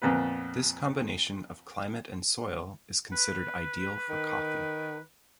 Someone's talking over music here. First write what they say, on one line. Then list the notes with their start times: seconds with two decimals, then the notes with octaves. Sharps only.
This combination of climate and soil is considered ideal for coffee.
0.02 F2 A#2 B3 B4
3.12 B4
4.09 D#3